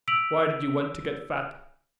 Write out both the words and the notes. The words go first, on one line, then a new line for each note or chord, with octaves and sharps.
Why did you want to get fat?
E6 B6 D7 F7 F#7